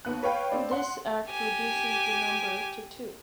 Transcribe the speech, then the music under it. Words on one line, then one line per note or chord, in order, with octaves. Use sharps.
This Act reduces the number to two.
D#2 B3 F#6
B4 C#5 F5 G5 B5
C4 D4
F#5 C6
G4 G#5